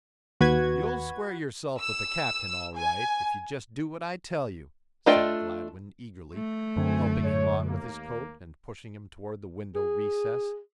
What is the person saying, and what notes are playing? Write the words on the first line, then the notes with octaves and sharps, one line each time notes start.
"You'll square yourself with the captain all right if you just do what I tell you," said Gladwin eagerly, helping him on with his coat and pushing him toward the window recess.
D#2 F#4 B4 G#6
E6
G#5
A3 D4 F4 D#5 G5
A3
B1 F#2 D3 C4 G#5
C#5
D#2 A#3
G#4